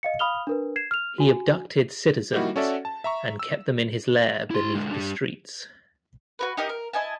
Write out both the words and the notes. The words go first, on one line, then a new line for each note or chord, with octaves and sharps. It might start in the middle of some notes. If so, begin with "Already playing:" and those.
He abducted citizens and kept them in his lair beneath the streets.
D#5 F5 C#7
F5 B5 D#6 F6 F7 G7
D4 A#4 B4
G#6 C7 E7
F6 F7
F#4 G#5
G3 A#3 D#4 E4 F#4
C#4 F#4 A4 D5 E5 F#5
A5
E5 A#5 C#6
E6
E4 C6
D3 G#3
G3 D4
F#4 A#4 B4
D#4 G4 A#4 D#5
A#4
E4 D#5 G#5 A5